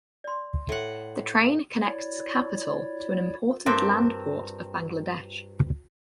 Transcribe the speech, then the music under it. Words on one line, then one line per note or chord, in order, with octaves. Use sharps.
The train connects capital to an important Land port of Bangladesh.
D5 C6
A2 F#5
E4 C#5 D5
G2 C4 A#4